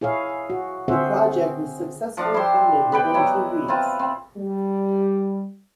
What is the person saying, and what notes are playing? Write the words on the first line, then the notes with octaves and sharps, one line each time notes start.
The project was successfully funded within two weeks.
E4 G#4 C#5 F5
F#4
D3 C4 G#4 C5 E5 F#5
G#4
F3 D4 F5
E4 G4 C5 C6
B3 B4 G5
F#3 E4 D#5
C4 E4 F4 B4
C4
G3